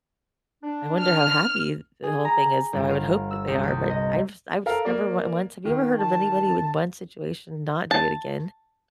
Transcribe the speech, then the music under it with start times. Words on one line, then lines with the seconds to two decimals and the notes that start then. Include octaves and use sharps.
I wonder how happy the whole thing is, though, I would hope that they are, but I was I was never w went have you ever heard of anybody with one situation not do it again?
0.63 D4
1.00 F6
2.03 G#4
2.25 A#5
2.73 G1
2.90 F5
3.31 E6
3.47 C2
3.64 C2
3.90 D#5
4.66 A4 A#4 F5
4.85 A#3 D5
5.65 D#3
5.98 A5
7.91 A5